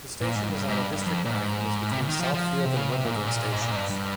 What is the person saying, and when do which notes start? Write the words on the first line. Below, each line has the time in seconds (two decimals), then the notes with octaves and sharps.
The station is on the District line and is between Southfields and Wimbledon stations.
0.21 A#2
0.35 G#2
0.50 G2
0.68 G#2
0.78 G2
0.92 G2
1.06 F2
1.25 A#2
1.35 G#2
1.92 C3
2.01 C#3
2.06 D#3
2.20 F3
2.34 F3
2.66 C3
2.77 C#3
2.90 C3
3.05 A#2
3.16 G#2
3.27 A#2
3.52 G#2
3.62 A#2
3.71 G#2
3.76 G2
3.90 G2